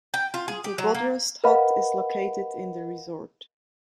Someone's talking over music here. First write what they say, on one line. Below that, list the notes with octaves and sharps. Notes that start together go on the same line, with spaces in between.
The Bodrost hut is located in the resort.
G5
F4
G#4
G4
F#3
A#3
A#4 B4 D#5 F5 F#5 B5